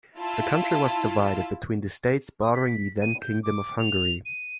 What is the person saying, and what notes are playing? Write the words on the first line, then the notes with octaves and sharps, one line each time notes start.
The country was divided between the states bordering the then Kingdom of Hungary.
E4 F4 A5
D#6
B6
D#7
G6
D6
F7
D#7